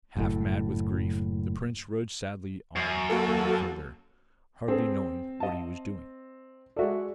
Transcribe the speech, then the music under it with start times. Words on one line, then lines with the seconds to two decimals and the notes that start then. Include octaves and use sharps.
Half mad with grief, the prince rode sadly on a little further, hardly knowing what he was doing.
0.17 F#1 A2
2.76 F#2
3.09 A#3 F#4 A4
4.68 C4 G#4 A4 B4
5.40 D#5 A5
6.76 G#3 F#4 A4 D5 E5